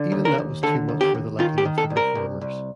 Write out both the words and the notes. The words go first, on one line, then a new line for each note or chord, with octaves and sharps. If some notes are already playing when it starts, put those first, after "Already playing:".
Even that was too much for the liking of the Reformers.
Already playing: D3
D#2
A#4
D#2
D3 A4
D#2
G4
D#2
D#3 F4
G4
D#3
A4
C2
A#4
C2
C2